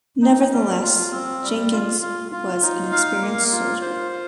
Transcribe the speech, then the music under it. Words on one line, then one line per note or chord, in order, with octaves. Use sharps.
Nevertheless, Jenkins was an experienced soldier.
D#4
G3
F4
C4
G3
F4
F4
F4
D#4
F5
A#3
F4
C5
F4